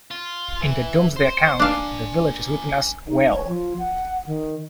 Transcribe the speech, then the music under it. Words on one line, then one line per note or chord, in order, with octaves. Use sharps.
In the "Domesday" account the village is written as "Hwelle".
F4
E3
C5
D4 D5 F5 G#5
D#4
C#5
F3
F#5
D#3